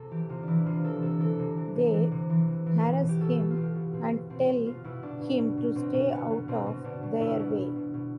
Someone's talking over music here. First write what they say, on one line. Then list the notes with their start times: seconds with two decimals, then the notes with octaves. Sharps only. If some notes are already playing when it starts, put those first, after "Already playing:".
They harass him, and tell him to stay out of their way.
Already playing: C3 A4
0.11 E3 G4
0.29 C3 F4
0.43 E3 D4 E4
0.66 C3 F4
0.84 E3 A4
1.02 C3 A4
1.20 E3 A4
1.39 C3
1.57 E3
1.75 C3
1.93 E3
2.12 C3
2.30 E3
2.48 C3
2.66 E3
2.84 B2
3.03 B2
3.09 G4
3.21 B2 A4
3.39 B2
3.50 F4
3.57 B2 G4
3.75 B2
3.93 B2 C4
4.12 B2
4.30 B2 C4
4.48 B2
4.66 B2 F4
4.84 B2 E4
5.02 B2 D4
5.21 B2
5.39 B2
5.58 B2
5.75 B2 C4
5.94 B2
6.12 B2 B3
6.30 B2
6.48 B2 C4
6.67 B2
6.84 B2 D4
7.03 B2
7.21 B2 E4
7.39 B2
7.58 B2
7.76 B2
7.94 B2